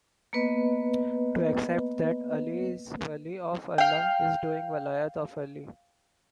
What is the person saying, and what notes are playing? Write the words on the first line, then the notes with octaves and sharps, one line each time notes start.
To accept that Ali is Wali of Allah is doing "Walayat" of Ali.
A#3 B3 B4 D#5
F5 G5